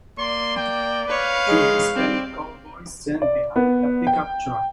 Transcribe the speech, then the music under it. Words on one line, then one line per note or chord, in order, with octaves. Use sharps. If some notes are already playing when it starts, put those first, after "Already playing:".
Two hispanic cowboys stand behind a pickup truck.
A#3 D5 C6
G5
B4 C#5 F5
G#3
G3 C4 D5
D5
B3
G5